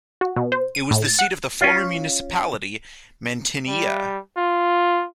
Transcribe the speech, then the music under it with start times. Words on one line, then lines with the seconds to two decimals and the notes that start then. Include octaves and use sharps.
It was the seat of the former municipality Mantineia.
0.21 F#4
0.36 B2
0.52 C5
0.75 D#7
0.91 A2
1.05 A6
1.19 F#5
1.61 C#4 F4
3.68 G3
4.37 F4